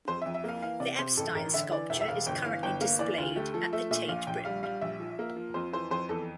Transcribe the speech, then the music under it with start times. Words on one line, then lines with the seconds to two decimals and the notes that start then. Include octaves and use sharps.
The Epstein sculpture is currently displayed at the Tate Britain.
0.08 F2 C5
0.22 E5
0.26 F2
0.35 E5
0.44 A#3 F5
0.62 E3 F5
0.80 C3 D5
0.99 C3 C5
1.17 A1 A4
1.35 A1 A#4
1.54 D3 E5
1.71 E3 D5
1.90 E1 E5
2.01 E5
2.08 E1 F5
2.26 G1 G5
2.45 E3 F5
2.63 G1 G5
2.81 A#3 F5
2.99 E3 D5
3.18 D2 F4
3.36 A3 G4
3.54 F3 A4
3.73 A3 E5
3.91 A#2 E5
4.08 A#1 F5
4.27 A#1 G5
4.45 G3 F5
4.63 G3 F5
4.81 A#1 E5
5.00 F3
5.19 A#3
5.36 F3
5.54 F2 C5
5.73 E3 C5
5.91 F2 C5
6.09 E2 A4